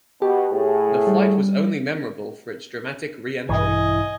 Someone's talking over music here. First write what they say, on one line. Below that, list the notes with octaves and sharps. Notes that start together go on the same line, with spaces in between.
The flight was also memorable for its dramatic re-entry.
B2 G4
A2 G#4
G3
A#1 G2 B2 E3 D#5 G#5